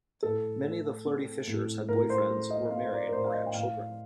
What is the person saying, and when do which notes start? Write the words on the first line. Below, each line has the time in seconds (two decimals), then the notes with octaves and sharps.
Many of the flirty fishers had boyfriends, were married, or had children.
0.23 A2 A4
0.64 A3
1.06 C4
1.47 A2
1.89 A2 A#4
2.10 C5
2.30 A3
2.51 D#5
2.71 C4 F5
2.83 C5
2.92 D5
3.07 A#4
3.12 A2 C5
3.24 F5
3.34 D#5
3.46 G5
3.54 A2 F5